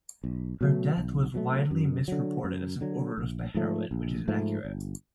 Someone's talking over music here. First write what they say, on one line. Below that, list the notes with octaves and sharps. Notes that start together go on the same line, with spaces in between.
Her death was widely misreported as an overdose by heroin, which is inaccurate.
B1
B2 F#3 A3
B1
B2 F#3 A3
F#2
D3 F#3
F#2
D3 F#3
A#1
G#2 F3 A3
A#1
G#2 F3 A3
G1